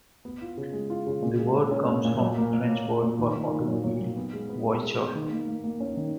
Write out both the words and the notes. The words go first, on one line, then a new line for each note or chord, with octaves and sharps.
The word comes from the French word for "automobile", "voiture".
B3
F4
C#3
G#3
F4
C#3
A#2
G#3
G#3
C#4
A#2
A#2
F#3
A#3
A#2
A#3
A#3
A#2
D#3
D#3
D#3
F#3
F#3
F#3
B3
G#3
B3
B2
G#3
B3
D#3
A#3
A#3
A#3
C#4
D#3